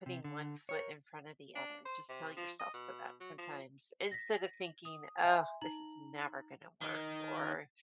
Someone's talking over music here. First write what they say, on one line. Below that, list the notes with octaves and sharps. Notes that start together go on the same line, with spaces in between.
putting one foot in front of the other. Just tell yourself so that sometimes instead of thinking, "Oh, this is never gonna work," or
C3
D3
A#4 C#5
D4
C5
C3
F3
D#5
B2
F#3
F3
A#6 B6
D#6
E5 G#5 C6
D#4 A#5 F#7
D#3 D#4